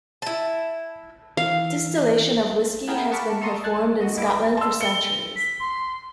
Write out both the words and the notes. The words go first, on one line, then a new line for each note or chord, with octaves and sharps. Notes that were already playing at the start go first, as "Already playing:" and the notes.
Distillation of whisky has been performed in Scotland for centuries.
E4 A5
E3 F5
B3 E4 G#4 A#4 F#5 G5
F#5 A5 B5 C#6 D6 F6
A4 A#5 C6 C#6 D#6
G#5 A5 F#6
A#1 F#4 D#5
C#2 G2 E4 D6 D7
A5 C6 E6
C#7 G7
B6
C6